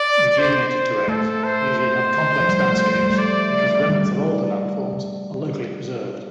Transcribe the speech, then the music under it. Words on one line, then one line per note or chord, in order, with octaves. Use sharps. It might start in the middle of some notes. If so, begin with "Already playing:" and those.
Rejuvenated terrains usually have complex landscapes because remnants of older landforms are locally preserved.
Already playing: D5
C5
A3 A4
C5
C5
F3
G3
G3
A3
A3
G3
A3
D5
G3